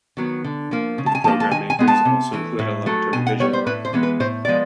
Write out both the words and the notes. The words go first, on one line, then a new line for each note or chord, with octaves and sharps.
The programme makers also included a long-term vision.
D#3 F#3 B3
D3
F3 A#3
C#3
A5
G#5
F3 A#3 A5
A5
D#3 G#5
G#5
G#3 B3
A5
C3
E3 A3
A2
F#3 A3
B2 G#5
F#5
G3 B3 C#5
C5
A2 B4
C5
E3 G#3 B3
B4
A2 C5
F3 G#3 B3 D5